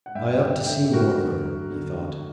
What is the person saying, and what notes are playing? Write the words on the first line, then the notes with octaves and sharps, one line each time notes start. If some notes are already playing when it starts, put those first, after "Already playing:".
"I ought to see more of her," he thought.
F#5
G2 E5 G5
D3 E5 G5
D3 E5 G5
G4
G2 F#4 A#4
D3
F#3
D3
D3